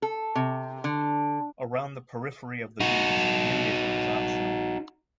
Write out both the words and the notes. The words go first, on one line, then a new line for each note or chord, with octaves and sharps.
Around the periphery of the beach, nudism is optional.
A4
C3
D3
D#4 F#4